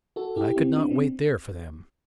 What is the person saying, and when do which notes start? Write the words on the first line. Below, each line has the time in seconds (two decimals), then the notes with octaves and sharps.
But I could not wait there for them.
0.16 F#4 A4
0.36 E4 G4
0.56 C4 E4
0.76 B3 D4
0.91 C4